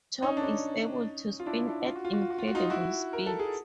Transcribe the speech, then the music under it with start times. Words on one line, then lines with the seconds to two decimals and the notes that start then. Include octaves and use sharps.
Top is able to spin at incredible speeds.
0.22 C#4 D#4
0.37 D4
0.43 C#4 D#4
1.40 F4
1.46 D4 E4
1.67 D4 E4
1.87 F4
1.96 F#4
2.05 F4
2.13 F#4
2.22 F4
2.30 F#4
2.38 F4
2.47 F#4
2.55 D#4 F4
2.70 E4 F#4
3.13 A#4
3.26 A4
3.40 G#4